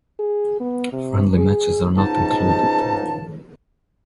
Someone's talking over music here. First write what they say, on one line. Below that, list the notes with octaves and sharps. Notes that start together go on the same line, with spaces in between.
Friendly matches are not included.
G#4
B3
C3
G#4
C#2 G#2 D#4 A5